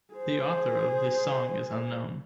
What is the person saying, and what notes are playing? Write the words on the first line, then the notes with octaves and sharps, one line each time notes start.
The author of the song is unknown.
G#4 C5